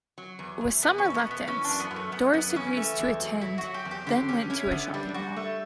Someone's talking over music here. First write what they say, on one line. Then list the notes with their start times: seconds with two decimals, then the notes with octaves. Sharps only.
With some reluctance, Doris agrees to attend then went to a shopping mall.
0.18 F#3
0.39 E2
0.61 E2
0.83 B2 B3
0.98 C#4
1.04 E2
1.14 B3
1.25 B2
1.31 B3
1.47 E3 C#4
1.64 F#2 D4
1.80 B3
1.91 F#2
1.96 A3
2.12 F#2 B3
2.33 F#2 B3
2.50 B3
2.55 E3 C#4
2.77 A3
2.99 E2
3.21 F#3
3.41 F#3 E4
3.58 F#4
3.63 F#3
3.74 G4
3.85 E2
3.91 G4
4.06 D3 G4
4.29 C#4 G4
4.50 C#4 E4
4.71 D3 B3
4.94 G3 D4
5.14 G3 F#4
5.36 A3